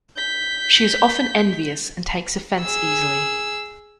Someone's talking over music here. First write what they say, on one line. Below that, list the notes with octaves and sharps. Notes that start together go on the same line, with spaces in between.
She is often envious and takes offense easily.
G6 B6
G#4 E6